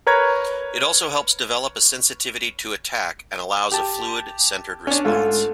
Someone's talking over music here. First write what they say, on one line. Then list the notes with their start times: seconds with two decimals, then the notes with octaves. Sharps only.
It also helps develop a sensitivity to attack and allows a fluid, centred response.
0.07 A#4 B4 C#5 A#5 G#6
3.72 G4 A5
4.87 C#4 D4
5.05 G#2 A3 F4